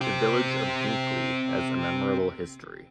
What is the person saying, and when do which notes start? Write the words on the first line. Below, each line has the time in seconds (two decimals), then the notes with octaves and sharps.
The Village of Hinckley has a memorable history.
0.01 C4 G4